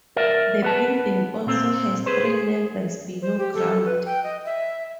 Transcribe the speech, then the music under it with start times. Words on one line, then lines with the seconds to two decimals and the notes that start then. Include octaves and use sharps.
The building also has three levels below ground.
0.16 A#4 D5 E5
0.62 B3 B4 A5
1.46 A#2 C4
2.06 G#4 B4 C5
2.25 G#4
3.22 C5
3.38 G4
3.55 A4
3.85 B4
4.06 G5
4.24 D#5
4.45 E5